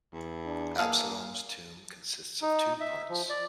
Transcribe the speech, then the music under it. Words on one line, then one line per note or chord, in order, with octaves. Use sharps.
Absalom's tomb consists of two parts.
E2
D4
A#3 G#4 A4 F5
D#4
E5
F3
D5